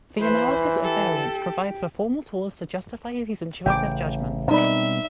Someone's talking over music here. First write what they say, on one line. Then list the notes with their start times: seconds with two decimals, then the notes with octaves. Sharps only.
The analysis of variance provides the formal tools to justify these intuitive judgments.
0.20 E3 B4 C5
0.84 G4 A4
3.66 A1 C#3 G5 D6
4.51 B2 G3 C4 D#4 D5 E5 B5